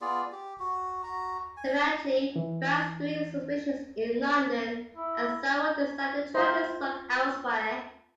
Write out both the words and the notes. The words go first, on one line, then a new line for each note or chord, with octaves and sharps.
Eventually banks grew suspicious in London and Saward decided to try his luck elsewhere.
B3 F4 G#4 D5
G4
F#4
F#4 A#5
G#5
E3
E4
F4 C5